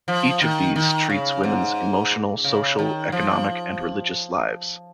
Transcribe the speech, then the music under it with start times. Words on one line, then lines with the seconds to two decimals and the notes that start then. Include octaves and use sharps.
Each of these treats women's emotional, social, economic, and religious lives.
0.08 F3
0.41 D#3
0.76 D#3
1.10 C#3
1.43 G#2
2.11 A#2
2.44 C#3
2.79 D#3
3.12 F3